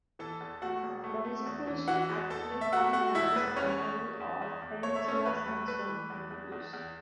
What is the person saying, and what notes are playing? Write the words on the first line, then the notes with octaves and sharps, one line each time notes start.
The vegetation at Cape Point consists primarily of Peninsula Sandstone Fynbos.
E3 A4 A5
E2
A3 F#4 F#5
E1
A3
A3
E2
E3
E3 F#4 F#5
E2
E2 A4 A5
A3
E5
A3 F#4 F#5
A3 F#4 F#5
E2 E4 E5
E1 B4
E2 C#4 C#5
E2
E2
E2
E2
E2
A3 C#5
E5
A3 C#4 C#5
E2 B4
A3
A3 B4
E3
E2
E2
E2
E2